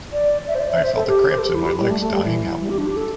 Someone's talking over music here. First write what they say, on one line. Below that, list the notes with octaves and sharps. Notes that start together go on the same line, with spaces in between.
I felt the cramps in my legs dying out.
D5
E5
C5
D5
E5
C5
A4
G4
C5
A4
G4
E4
G4
G3
A3
A3
G3
E3
G3
G4
D4
G4
A4